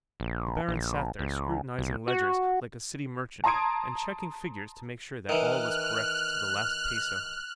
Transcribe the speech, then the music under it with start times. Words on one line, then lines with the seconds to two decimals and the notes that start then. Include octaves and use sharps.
The Baron sat there scrutinizing ledgers, like a city merchant, and checking figures to make sure that all was correct to the last peso.
0.20 A#1
0.68 A#1
1.19 C#2
1.79 C2
2.08 F#4
3.44 A5 A#5 C6 D#6 G#6 D7
5.29 D#3 E3 F6 F#6